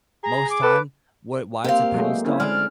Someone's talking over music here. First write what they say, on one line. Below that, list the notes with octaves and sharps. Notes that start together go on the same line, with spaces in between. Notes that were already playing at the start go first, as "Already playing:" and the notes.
Most time, wa why it's a penny stock,
G#4 A#5
D6
A4 B4
A#3 C4 G4 F5
F#3 G#3 A3
C4 C#4 E4
D3 G#3 D5 F6